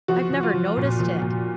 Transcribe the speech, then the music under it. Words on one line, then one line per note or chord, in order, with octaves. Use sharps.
"I've never noticed it."
F3 F#4
F3
F4
F3
A#2
F3
A#2